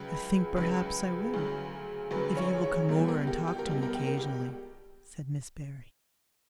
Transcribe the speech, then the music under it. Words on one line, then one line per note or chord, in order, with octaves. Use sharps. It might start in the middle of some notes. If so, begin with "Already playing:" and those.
"I think perhaps I will if you will come over and talk to me occasionally," said Miss Barry.
Already playing: C#2 C#3 F#3 B4
C#2 C#3 F#3 B4
D2 C#3 F#3
D2 C#3 F#3 B4
C#5
C#5
C#2 B2 G3
A#4
G4
G4
A#4
C#2 B2 G3 G4
A#4
G4
A#4
G4